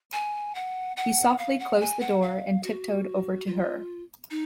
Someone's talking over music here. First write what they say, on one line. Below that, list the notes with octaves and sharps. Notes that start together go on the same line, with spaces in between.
He softly closed the door and tiptoed over to her.
G#5
F#5
F#5
F5
F#5
G#5
F#5
F5
F#4
F4
D#4